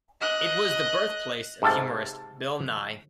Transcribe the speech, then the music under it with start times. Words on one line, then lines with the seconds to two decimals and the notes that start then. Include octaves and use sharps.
It was the birthplace of humorist Bill Nye.
0.21 D#5 F#6
1.62 G#2 C3 A4 F5 A5